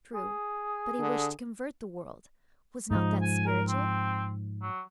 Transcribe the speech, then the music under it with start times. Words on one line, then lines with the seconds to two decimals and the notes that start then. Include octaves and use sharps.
True; but, he wished to convert the world.... was not that spiritual?
0.15 G#4
0.99 D3
2.91 G#2 F3 D#4
3.22 G#5
3.47 A#4
3.68 C4
4.62 F#3